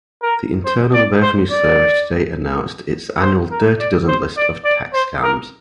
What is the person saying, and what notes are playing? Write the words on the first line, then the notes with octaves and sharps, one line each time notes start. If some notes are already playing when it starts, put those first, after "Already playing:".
The Internal Revenue Service today announced its annual Dirty Dozen list of tax scams.
A#4
C5
D5
C5
D5
C5
A#4
D5
C5
D5
D5
C5
A#4